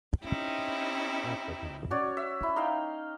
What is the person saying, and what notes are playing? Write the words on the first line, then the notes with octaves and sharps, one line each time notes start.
At the time.
C4 C#4 D#4 E4 G4
C#4 F#4 C#5 D5
E5
E4
D#4 F5 G5